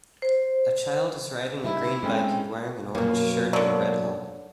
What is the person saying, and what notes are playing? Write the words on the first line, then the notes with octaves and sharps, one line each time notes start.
A child is riding a green bike and wearing an orange shirt and red helmet.
C5
C#3 G3 D#4 E4 E5
G#3 A3 C4 C#4 D#4 G5
F#2 B2 A#3
D3 F#3 D5 A5